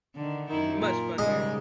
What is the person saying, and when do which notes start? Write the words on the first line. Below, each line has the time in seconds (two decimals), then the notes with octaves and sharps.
Much funnier.
0.15 D3 D#3
0.49 F#2 D#3 D#4 E4
0.81 A#2 A#4
1.18 G#2 C#3 G3 G#3 D#5